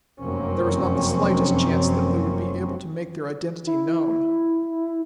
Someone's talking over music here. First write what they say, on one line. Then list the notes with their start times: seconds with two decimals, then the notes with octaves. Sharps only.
There was not the slightest chance that they would be able to make their identity known.
0.22 F1 F#2 A#3 C4 C#4
3.67 E4